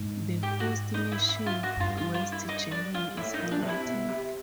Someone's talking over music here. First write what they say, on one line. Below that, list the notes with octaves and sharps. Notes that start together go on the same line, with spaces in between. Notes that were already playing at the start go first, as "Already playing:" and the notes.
The host nation, West Germany, is highlighted.
Already playing: G#2
G4
F#4
D#4
E4
E4
F4
F#4
F#2
G2 F4
F4
F4
E4
D#4
D4
F4
A2 E4
D#4
A#2
D4
C3
E4
B2
C3